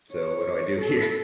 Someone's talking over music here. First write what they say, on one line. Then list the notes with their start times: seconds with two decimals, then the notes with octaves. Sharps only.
So, what do I do here?
0.13 C#5
0.81 A4